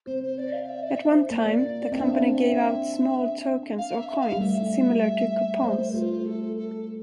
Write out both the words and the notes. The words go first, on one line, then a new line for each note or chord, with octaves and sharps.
At one time, the company gave out small tokens or coins, similar to coupons.
C4 C5
C5
D5
F5
F5
E5
D5
E5
C5
A#3 D5
C4 E5
D4
C4
F5
E5
F5
E5
F5
G3
A3 E5
A3 C5
A3 F4
A4
A4